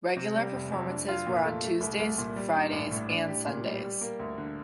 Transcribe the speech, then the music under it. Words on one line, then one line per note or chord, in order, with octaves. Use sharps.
Regular performances were on Tuesdays, Fridays, and Sundays.
C3
G3
F1
F2
D4
F4
A#2
A3
A3
C2
C2
A#2
G3
D4
A1
A2
D4
G4
A#2
G3
G3
A#3
D2
D3